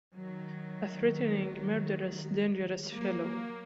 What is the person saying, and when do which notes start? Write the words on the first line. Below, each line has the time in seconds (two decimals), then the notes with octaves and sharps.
A threatening, murderous, dangerous fellow.
0.15 D#3 F#3
2.94 F#3 A#3